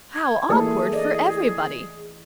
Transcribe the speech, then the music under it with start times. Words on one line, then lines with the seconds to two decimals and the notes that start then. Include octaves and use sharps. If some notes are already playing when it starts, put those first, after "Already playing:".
How awkward for everybody!
0.14 G#6
0.49 E3 A3 A#3 E4 G#4 A4
0.93 D5 D#5